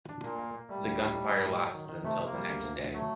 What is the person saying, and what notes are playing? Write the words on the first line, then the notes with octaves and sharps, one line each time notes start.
The gunfire lasted until the next day.
D4
A#2 A#3
A#3
A#3
G3 A3
D2
D#4
A2
D4
A2
F#3
D#3
D#3
C3 A3
C3
A#3
G3
D2
D2
D2
F#3 A3